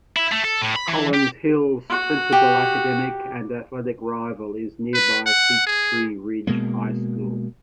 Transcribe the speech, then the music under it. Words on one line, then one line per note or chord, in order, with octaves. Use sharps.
Collins Hill's principal academic and athletic rival is nearby Peachtree Ridge High School.
E4
A3
A4
A2
B5
E3
G4
F#4
G4
B4
F#5
G#4
B2 G#3 A#3